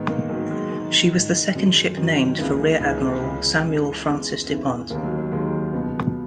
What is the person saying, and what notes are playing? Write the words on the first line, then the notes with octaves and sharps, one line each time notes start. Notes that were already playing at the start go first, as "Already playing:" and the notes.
She was the second ship named for Rear Admiral Samuel Francis Du Pont.
Already playing: G#2 D#3 B3
A#3
G#2 D#3 F#3
G#3
G#2 D#3
G#2 D#3
F#2 D#3 G#3
F#2 D#3
C#2 C#3 E3 A#3
C#2 C#3 E3
C#2 C#3 E3 C#4
C#2 C#3 E3
E2 C#3 E3 G#3
E2 C#3 E3
D#2 D#3 A#3
F#3
F#3
D#2 D#3 G#3
C#2 B2 B3